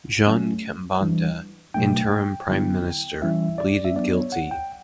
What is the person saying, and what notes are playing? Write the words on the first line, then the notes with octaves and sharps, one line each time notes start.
Jean Kambanda, interim Prime Minister, pleaded guilty.
F#3 A3 C#4
E3 G3 D4
B2 F#3 A3 D4 G5
D3 F#3 B3 E4
E3 G3 C#4 E4 E5
D5
E5
F#3 B3 D4 D5
C#5
F#5
G5